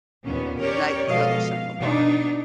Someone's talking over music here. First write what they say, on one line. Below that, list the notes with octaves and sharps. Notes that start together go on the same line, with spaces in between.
nightclub or something or bar.
D#2 A#2 B3 C#4
C#4 G4 A#4 C#5 D5
B2 F3 G#3 A4 D#5 F5
F5
B2 D4 D#4